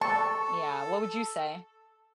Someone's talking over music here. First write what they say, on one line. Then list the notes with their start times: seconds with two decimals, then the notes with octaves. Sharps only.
Yeah, what would you say?
0.01 A4 A5 C#6